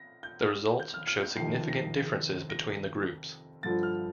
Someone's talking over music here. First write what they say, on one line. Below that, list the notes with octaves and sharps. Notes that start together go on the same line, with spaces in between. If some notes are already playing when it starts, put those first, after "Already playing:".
The results showed significant differences between the groups.
Already playing: A#6
G6
F6
G6
F6
F6
G6
F2 C3 D#3 C7
A#6
C7
A#6
G2 D3 F3 A6
F6